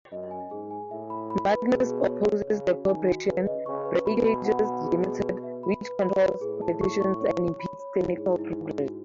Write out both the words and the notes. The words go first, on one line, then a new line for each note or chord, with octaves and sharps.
Magnus opposes the corporation "Breakages, Limited", which controls politicians and impedes technical progress.
F#2 D#5
G#5
G#2 G#4
G#5
A2 E5
B5
B5
B4
B2 G#4
G#4
C#5
G#4
C#3 C#5
F#4
D#3 G#5
F#4
C#3 B4
D#5
C#3 C#6
B4
B2 B5
B5
F#5
B5
G#4
G#4
B4
E5
B5
B4
B5
B4
A2 G#4
A5
C#6
C#6
C#5
C#5
B5
C#5
G#2 E4
G#4
E4
E4
F#4